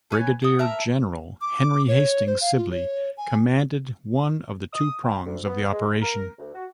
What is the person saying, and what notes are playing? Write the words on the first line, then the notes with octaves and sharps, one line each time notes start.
Brigadier General Henry Hastings Sibley commanded one of the two prongs of the operation.
A4 B4 C#5 G#5
F#5 D#6
A#4 E5 A5 A#5
D6
C#5
C5
F5
F4
C#5
G#5
D#6
G5
D2
B3
G#3
A#4
D2
F#4